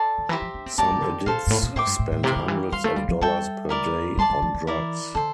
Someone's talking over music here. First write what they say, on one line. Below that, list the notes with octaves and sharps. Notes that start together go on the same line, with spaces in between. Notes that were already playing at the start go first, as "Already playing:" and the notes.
Some addicts spend hundreds of dollars per day on drugs.
Already playing: A4 D5 A5 C6
D3
E3 G4 C5 E5 A#5
F3
D4
C4
A3 G4 A#4 D5 A5
F3
D3
A#2 A4 C5 F5
G2
A2
A#2
A2 C5 E5 G5 D6
G2
A2
A2
C3 E4 G4 A#4 F5
D3
E3
G3 C5 F5 C6
A3
G3
F3
G3 A4 E5 G5
E4 A#4 D5
G3 D5 A5 C6
G3
F3
E3
E4 A#4 D5
D3 A4 C5